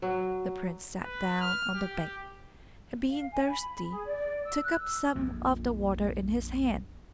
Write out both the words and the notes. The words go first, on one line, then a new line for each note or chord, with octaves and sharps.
The prince sat down on the bank, and being thirsty took up some of the water in his hand.
F#3
B4
F6
G4
F5
G#5
B5
B5
G#4
D5
E6
F#6
E6
A#1 F2